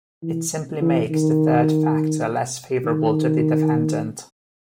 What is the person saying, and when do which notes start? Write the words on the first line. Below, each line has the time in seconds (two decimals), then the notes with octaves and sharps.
It simply makes the third factor less favorable to the defendant.
0.23 E3
0.81 E3
1.10 D#3
2.85 D#3